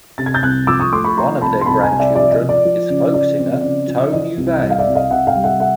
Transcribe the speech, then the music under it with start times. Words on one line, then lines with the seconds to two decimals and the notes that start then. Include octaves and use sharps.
One of their grandchildren is folk singer Tone Juve.
0.18 C3 A6
0.26 G#6
0.34 G6 A6
0.43 C2 F#6 G#6
0.67 F3 D6 E6
0.80 C#6 D#6
0.92 A3 C6 D6
1.04 B5 C#6
1.17 F3 A#5 C6
1.41 C2 A5 B5
1.61 C6
1.66 C2 A5 B5
1.82 G#5 A#5
1.91 C3
1.99 D5 E5
2.15 F3 D5 E5
2.32 D#5
2.40 F3
2.49 D5
2.65 F3
2.90 C#3
3.14 F3 D5
3.39 C4
3.63 C#3
3.87 F3
4.12 E3 D#5
4.37 C2
4.62 G3 D#5
4.70 F5
4.79 D5 E5
4.87 C2
4.95 D#5 F5
5.11 C3 E5 F#5
5.27 F5 G5
5.35 G3
5.44 E5 F#5
5.60 E5 F#5